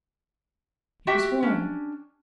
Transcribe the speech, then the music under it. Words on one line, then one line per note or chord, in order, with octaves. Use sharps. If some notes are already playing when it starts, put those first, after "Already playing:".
It was warm.
F#4 G4 E5 G5
C#4 D4